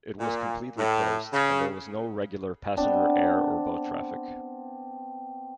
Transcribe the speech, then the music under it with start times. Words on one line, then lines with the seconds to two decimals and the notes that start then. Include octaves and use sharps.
It was completely closed, and there was no regular passenger air or boat traffic.
0.20 A#2
0.78 A2
1.33 C#3
2.77 B3 C4 D4 D#5